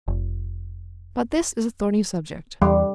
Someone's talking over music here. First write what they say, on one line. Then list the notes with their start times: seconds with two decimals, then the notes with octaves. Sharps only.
But this is a thorny subject.
0.08 F1
2.62 E2 G3